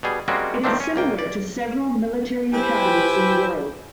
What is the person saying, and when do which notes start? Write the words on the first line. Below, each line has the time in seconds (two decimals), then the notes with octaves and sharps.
It is similar to several military academies in the world.
0.03 B2 G3 G#4
0.28 G3 G#3 A#3 C4 C#4 F#4
0.64 D#3 F3 A3 C4 D4
0.80 C#4 G#5
0.96 C#2 A#3 G5
1.19 D5
2.53 E4 G4 B4 C5 G5 G#5